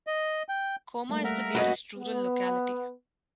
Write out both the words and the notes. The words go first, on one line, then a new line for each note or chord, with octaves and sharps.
Koma is the nearest rural locality.
D#5
G5
G3 A3 A#3
A#4 E5 F#5 A#5
F#2 F#4 B4 D#5
B3